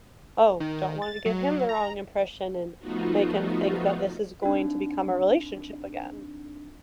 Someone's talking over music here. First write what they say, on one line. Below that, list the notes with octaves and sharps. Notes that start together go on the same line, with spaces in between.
"Oh, don't wanna give him the wrong impression and make him think that this is going to become a relationship again."
D#3
A6
F#3
A#5
F3 A3 B3 D#4 F4 F#4
C4 D4 D#4 F4